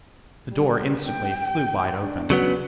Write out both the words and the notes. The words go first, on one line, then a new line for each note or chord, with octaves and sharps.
The door instantly flew wide open.
G3
G5
D4
C#3 F#3 B3